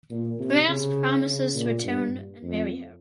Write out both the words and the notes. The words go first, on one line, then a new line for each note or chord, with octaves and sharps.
Paras promises to return and marry her.
A#2
C3
C#3
C#3
A#2
G2
F2